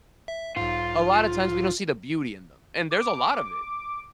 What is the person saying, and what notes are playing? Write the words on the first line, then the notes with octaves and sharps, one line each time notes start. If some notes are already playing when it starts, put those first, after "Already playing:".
a lotta times, we don't see the beauty in them, and there's a lot of it.
E5
B1 G#2 F4
D6